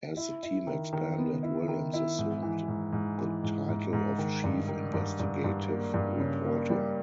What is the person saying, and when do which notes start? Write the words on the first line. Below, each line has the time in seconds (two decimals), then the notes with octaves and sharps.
As the team expanded, Williams assumed the title of chief investigative reporter.
0.17 E4
0.43 E4
0.67 D#3
0.93 D#3
1.18 B3
1.43 E4
1.68 D#3
1.94 E4
2.19 G#2
2.43 E3
2.68 G#2
2.93 G#2
3.18 E3
3.44 G#2
3.68 G#2
3.93 G#2
4.18 D#3
4.44 G2
4.68 D#3
4.93 G2
5.20 G2
5.44 G2
5.69 A#3
5.94 G2
6.20 C#3
6.44 A#3
6.70 G3